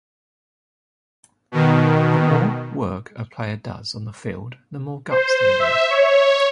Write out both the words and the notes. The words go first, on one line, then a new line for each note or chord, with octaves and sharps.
The more work a player does on the field, the more guts they lose.
B2 D#3
C5
E5
C#5